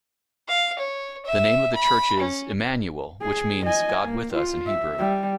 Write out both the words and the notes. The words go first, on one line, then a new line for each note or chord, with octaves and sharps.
The name of the church is; "Immanuel" which means "God with us" in Hebrew.
F5
C#5
E5
B5
C#4
G#4
D#5 G#5
A#3
F4
E5
G3